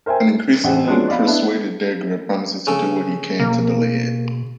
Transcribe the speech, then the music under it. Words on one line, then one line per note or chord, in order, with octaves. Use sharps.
An increasingly persuaded Degra promises to do what he can to delay it.
A#4 C5 E5 G5 G#5
C7
A1 C5 F#5
F3 G#3 B3 C#4 D4 F#4
D5 D#5 F5 B5
B3 D4 E4
C#3 A4
B2 A#3